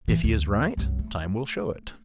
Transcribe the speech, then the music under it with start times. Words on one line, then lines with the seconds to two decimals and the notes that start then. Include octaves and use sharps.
If he is right, time will show it.
0.08 A2 E3
0.23 D2
0.77 C2 F#2
0.99 A3